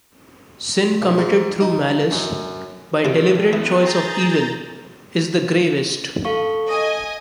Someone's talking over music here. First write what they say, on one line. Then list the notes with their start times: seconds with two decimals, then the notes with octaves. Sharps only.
Sin committed through malice, by deliberate choice of evil, is the gravest.
1.02 B1
1.18 G#2
1.61 D#4
2.11 F#2
3.05 G2 C3 E3 D5
3.53 E3 G#3 B3
3.85 G#4 A#5 G6 A6
6.25 A4 F5 C#6
6.69 D#5 G#5